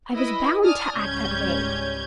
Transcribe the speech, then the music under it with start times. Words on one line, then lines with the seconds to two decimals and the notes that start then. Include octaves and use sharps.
I was bound to act that way....
0.14 E4 B4 D#5 B5
0.64 D5 G#5 A5 D#6 F6
0.96 C#2 G#2 G3 C#4 G6 G#6